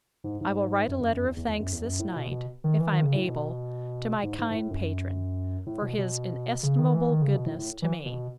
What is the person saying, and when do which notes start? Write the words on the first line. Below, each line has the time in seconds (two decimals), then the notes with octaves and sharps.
I will write a letter of thanks this night, if I am able, to my kind patron, for his inestimable goodness to me.
0.24 G#2
0.41 G#2
0.88 F#2
1.00 F#2
1.12 F#2
1.24 E2
1.37 E2
1.48 E2
1.60 F#2
1.72 E2
1.84 F#2
2.00 A2
2.16 B2
2.31 B2
2.64 D#3
2.80 E3
2.91 D#3
3.04 C#3
3.16 A2
3.28 B2
4.23 G#2
4.39 G#2
4.50 G#2
4.55 A2
4.71 F#2
5.66 A2
5.82 B2
5.98 B2
6.63 C#3
6.78 D#3
6.95 E3
7.10 D#3
7.22 C#3
7.35 B2
7.46 A2
7.59 A2
7.82 E3
8.06 B2